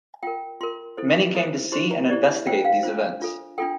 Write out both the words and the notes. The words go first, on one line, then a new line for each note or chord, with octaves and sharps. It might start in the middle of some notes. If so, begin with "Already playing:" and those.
Many came to see and investigate these events.
F4 A#4 G5
F4 A#4 C6
E4 A4 C5
E4 A4 C5
E4 G4 C5 C6
A#5
E4 G4 C5 D5
E5
D4 F4 C5 G5
F5
D4 F4 C5
D4 F4 A4
D4 F4 A4 G5